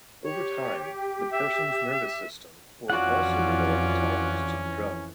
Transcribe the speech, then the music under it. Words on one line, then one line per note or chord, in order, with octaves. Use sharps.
Over time, the person's nervous system will also develop a tolerance to the drug.
G4 C#5
E5
F2 E3 C#4 F4 F#4 D5 F#5